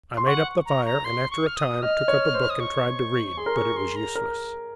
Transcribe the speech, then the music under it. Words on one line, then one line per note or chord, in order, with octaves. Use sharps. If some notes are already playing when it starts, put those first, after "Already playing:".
I made up the fire, and after a time took up a book, and tried to read, but it was useless.
C6
F#5 C#6
A#5
A#5
C6
C#6
F6
D#6
D#5 F6
C#5
C5
D#6
C#6
G#4 C6
A#4
G#4 C#6
C6
A#5
A#4